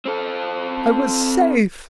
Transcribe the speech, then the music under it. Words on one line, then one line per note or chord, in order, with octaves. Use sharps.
I was safe.
C4 A4